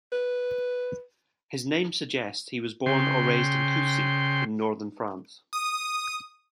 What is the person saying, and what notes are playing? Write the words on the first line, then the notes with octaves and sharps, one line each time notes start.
His name suggests he was born or raised in Coucy in Northern France.
B4
C#3 G5 C6
D#6